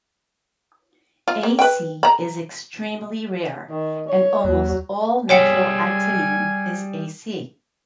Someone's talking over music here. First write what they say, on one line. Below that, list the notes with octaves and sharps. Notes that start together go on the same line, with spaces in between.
Ac is extremely rare, and almost all natural actinium is Ac.
F4
A#3
B4 G5
A#5 B5
D#3
C#5
D#2 F#3
G3 G#4 C#5 E5 G5 G#5 C#7